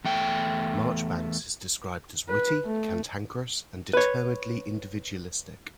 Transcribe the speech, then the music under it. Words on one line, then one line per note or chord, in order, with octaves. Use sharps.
Marchbanks is described as witty, cantankerous, and determinedly individualistic.
E2 A3 G5
B4
A3
B4 C#5